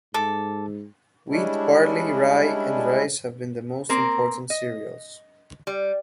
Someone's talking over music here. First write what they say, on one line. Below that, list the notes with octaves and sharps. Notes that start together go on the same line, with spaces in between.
Wheat, barley, rye and rice have been the most important cereals.
G#2 A4 D6
G3 G#3 C#4 D4 E4
A#3 C4 A#4
D#5
G3